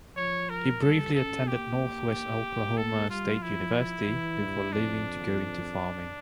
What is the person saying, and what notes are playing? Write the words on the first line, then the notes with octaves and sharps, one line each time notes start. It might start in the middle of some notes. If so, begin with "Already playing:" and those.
He briefly attended Northwest Oklahoma State University before leaving to go into farming.
F3 C#5
A#4
G3 A4
C#4 A4
A#3 G4
A#3 A4
G3 F4
F3 E4
E4
E3
G2
F2 D4